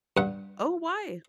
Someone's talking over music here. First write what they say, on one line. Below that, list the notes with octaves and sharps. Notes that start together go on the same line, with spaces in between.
Oh, why?
G2 F#5